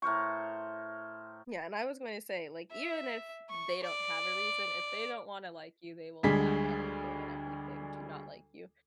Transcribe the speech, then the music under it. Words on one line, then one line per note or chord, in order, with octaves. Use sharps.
Yeah and I was gonna say, like, even if they don't have a reason, if they don't wanna like you, they will find anything and everything to not like you.
A2 A#4 C5 C#6
E5
C#6
D5
D2 G3 G#3 D4 G#4 B6